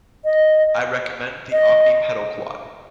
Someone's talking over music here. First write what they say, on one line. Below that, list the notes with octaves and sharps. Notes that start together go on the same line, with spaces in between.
I recommend the Omni pedal Quad.
D#5
D#5